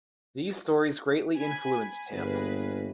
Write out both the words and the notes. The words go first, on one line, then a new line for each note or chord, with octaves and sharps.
These stories greatly influenced him.
G#5 B5
G1 A#3 G#4 B4